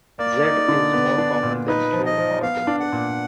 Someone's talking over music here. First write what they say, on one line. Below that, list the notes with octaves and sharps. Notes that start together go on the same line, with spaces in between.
'Z' is more common than 'Q' or 'W'.
A#3 D5
D#4
D3
B3
D4
A#2
D#4 B4
F3
D#5
F3
B3 F5
D4
F#5
A#2